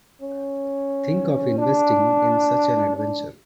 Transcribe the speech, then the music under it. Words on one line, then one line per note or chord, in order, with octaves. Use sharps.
Think of investing in such an adventure.
C#4
D4
D4